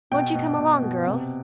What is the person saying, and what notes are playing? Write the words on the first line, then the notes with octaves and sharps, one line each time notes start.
"Won't you come along, girls?"
B2 G5
B2
B2
B2
C3